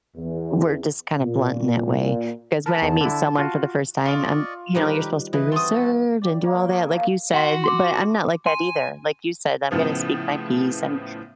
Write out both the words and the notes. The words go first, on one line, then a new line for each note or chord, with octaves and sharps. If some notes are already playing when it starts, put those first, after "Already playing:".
were just kinda blunt in that way 'cause when I meet someone for the first time, I'm, you know, you're supposed to be reserved and do all that like you said, but I'm not like that either. Like you said, I'm gonna speak my peace and
E2
A#2
A#2
A#4 B4 A5
E2
D3 E4
F4 F#4
F4 D5 D#5 C#6 D6
D#3 F3 G3 G4 A#4 B4
E3 B4 D#5
C4 F#4 A5 C6 D#6
G4 D5
A#3 A#4 C#5
G#4
A#2 F3
F#4 F#5 C6 B6
C6 D6
G#5 C6
A2 C#3 F3 B3